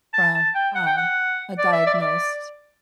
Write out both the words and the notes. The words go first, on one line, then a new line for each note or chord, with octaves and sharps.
from, um, a diagnosed
A5
A5
G5
F#5
G5
F#5
D5
E5
D5
E5
D5